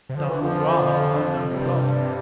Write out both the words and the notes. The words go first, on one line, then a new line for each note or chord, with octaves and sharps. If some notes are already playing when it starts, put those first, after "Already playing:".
Dark drama of unknown plot!
C3
D3 F3
E3
F2 F3
G2 C3 G3